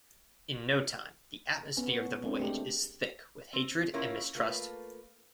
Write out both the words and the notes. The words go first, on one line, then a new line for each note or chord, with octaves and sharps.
In no time, the atmosphere of the voyage is thick with hatred and mistrust.
B3 C#4
G#3 C4 D4
A3 G4
C4
A#3 C#4 E4 F4 A#4 C#5
A3 A#3 F4 A4 B4